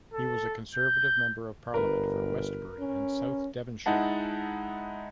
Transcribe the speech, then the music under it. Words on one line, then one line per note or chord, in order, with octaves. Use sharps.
He was Conservative Member of Parliament for Westbury and South Devonshire.
A4
G6
G1 A#4 B4
C#4
G#3 D#4 E4 F#5 A5